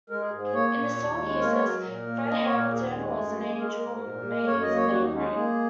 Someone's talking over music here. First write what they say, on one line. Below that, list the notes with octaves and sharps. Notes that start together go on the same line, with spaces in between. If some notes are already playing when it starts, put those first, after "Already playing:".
In the song, he says "Fred Hampton was an angel may his name ring".
G#3 A#4
G#4
G#2
G#4
A#3 C#5
A#2
D#2
G#3
A#3 A#4
C#5
F#3 A#4
A#2
A#3
A#3 D#5
C#5
A#2
A#4
D#2 G#4
G#3
F#2
A#3
G#3 A#4
G#2
A#2
A#3
F#2 C#5
D#5
A#3
C#5
D#2 F#4
D#4
G#3 C#4
D#4
A#3 G#4